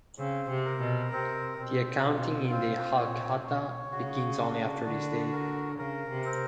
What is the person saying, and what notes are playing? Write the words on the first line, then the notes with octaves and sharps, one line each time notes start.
The accounting in the "Halkhata" begins only after this day.
C#3 C4
C3
A#4
B2
C3 C4
B2 C4
B2 F4
C4
A#2 C#5
B2 C#5
C#3 F#4
D4
D3 F#4
A#4
C#3 A#4
C3
C4